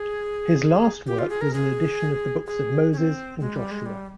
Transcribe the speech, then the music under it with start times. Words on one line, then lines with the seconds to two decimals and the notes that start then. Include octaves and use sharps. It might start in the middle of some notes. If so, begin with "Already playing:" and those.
His last work was an edition of the books of Moses and Joshua.
Already playing: G#4
1.07 G4
1.19 F4
1.30 G#4
1.41 A#4
1.53 G#4
2.46 G#4
2.93 C#4
2.98 C4
3.40 G#3
3.56 G3
3.71 G#3
3.86 G3